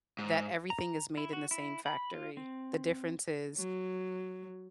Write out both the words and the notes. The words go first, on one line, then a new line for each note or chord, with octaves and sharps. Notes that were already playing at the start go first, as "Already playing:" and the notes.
that everything is made in the same factory. The difference is,
G#2
A#5
E4
F#4
E4
B5
F4
C4
F#3